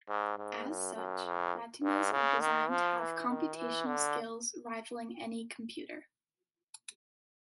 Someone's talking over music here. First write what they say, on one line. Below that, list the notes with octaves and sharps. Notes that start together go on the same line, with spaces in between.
As such, Fatimas are designed to have computational skills rivaling any computer.
G#2
G#2
F#2
F#2
F2
G2
C#3
D#3
F3
E3
D#3
E3
D3